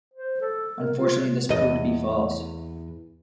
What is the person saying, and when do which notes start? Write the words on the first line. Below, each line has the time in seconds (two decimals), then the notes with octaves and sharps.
Unfortunately, this proved to be false.
0.14 C5
0.41 A4
0.79 A#4
0.97 F4
1.49 E2 D#5